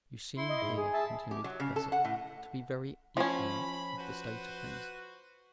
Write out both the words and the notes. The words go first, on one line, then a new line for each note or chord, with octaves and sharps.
"You seem here," continued the professor, "to be very ignorant of the state of things."
E4 C6
D#5
G#2
G#4
E5 A5
G4
F#3
C#3
A4
F#5
A2
F3 C#4 B5
F#4 B4 C5